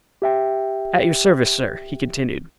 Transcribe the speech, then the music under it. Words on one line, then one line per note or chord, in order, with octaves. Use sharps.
"At your service, sir," he continued.
G4 E5 G5